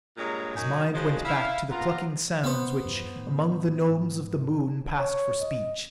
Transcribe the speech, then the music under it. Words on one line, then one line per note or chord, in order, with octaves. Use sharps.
His mind went back to the clucking sounds which, among the Gnomes of the Moon, passed for speech.
G2 A#2 G#3 C#5 A#5
F#2 F#3 D#4 F#4 G#5
F3 F#3 G#3 G#4 C5 D#5
E4 F5
A#2 B3 F4 F5 A#5
C#3 B3 C5
E2 G2 F3
A2 D#3 A3
G#2
C#5
D#5